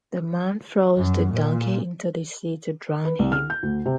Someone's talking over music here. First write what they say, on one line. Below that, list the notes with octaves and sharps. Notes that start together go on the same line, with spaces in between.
The man throws the donkey into the sea to drown him.
F#2
A#2
B4
C2
F6
G6
D2
C3